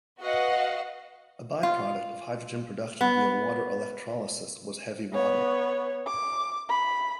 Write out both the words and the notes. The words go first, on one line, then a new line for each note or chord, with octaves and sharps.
A by-product of hydrogen production via water electrolysis was heavy water.
F#4 B4 D#5 F5 F#5
F4
B3
B3 C#5
D6
B5